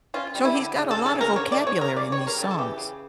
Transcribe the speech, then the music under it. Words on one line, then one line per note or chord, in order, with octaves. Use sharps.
So he's got a lot of vocabulary in these songs?
C#4 F4
G3
E4
D3
C#3
A4
C#3
A4
C#3
A#4
D3 C#5
D5
A3
C#5
D3 A#4
C#3 D5
C#5
G3
A#4
C#3 A4
A4
E3 G4
C#3